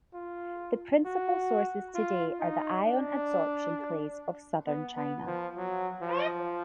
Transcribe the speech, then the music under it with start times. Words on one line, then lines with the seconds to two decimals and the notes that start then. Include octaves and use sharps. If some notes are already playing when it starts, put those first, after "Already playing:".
The principal sources today are the ion adsorption clays of southern China.
0.14 F4
1.05 F#4
1.95 F4
2.40 D#4
2.86 D4
4.67 B3
4.96 B3
5.27 F3
5.57 F#3
6.02 F3